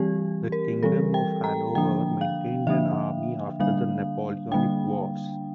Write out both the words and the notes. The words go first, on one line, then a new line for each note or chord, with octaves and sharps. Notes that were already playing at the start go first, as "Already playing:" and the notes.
The Kingdom of Hanover maintained an army after the Napoleonic Wars.
Already playing: E3 G3 C4 G4
A#4
E3 G3 C4 A4
G5
A#5
D3 F3 A#3 D4 G5
F5
D3 F3 A#3 D4 E5
D3 G3 A#3 D4 F5
D3 G3 A#3 D4 G5